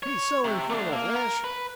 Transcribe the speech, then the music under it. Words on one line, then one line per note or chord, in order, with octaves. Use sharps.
He's so infernal rash.
C#5
C3
A3 D4
A#3
A#4
B4